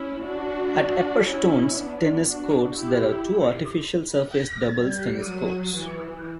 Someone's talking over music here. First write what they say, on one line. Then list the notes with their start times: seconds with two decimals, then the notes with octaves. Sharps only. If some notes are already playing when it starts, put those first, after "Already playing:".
At Epperstone's tennis courts there are two artificial-surface doubles tennis courts.
Already playing: C#4 E4
0.24 D4 F#4
1.25 C#4 E4
1.74 B3 D4
2.25 D4 F#4
2.75 E4 G4
4.74 G3
5.25 F#3
5.76 E3